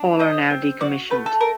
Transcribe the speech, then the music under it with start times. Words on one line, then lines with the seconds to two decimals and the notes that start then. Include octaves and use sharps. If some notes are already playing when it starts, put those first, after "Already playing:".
All are now decommissioned.
Already playing: D4
0.19 C4 D#5
0.50 C4
0.80 F#4 D5
1.10 A3 B4
1.26 A4
1.41 A4 A#4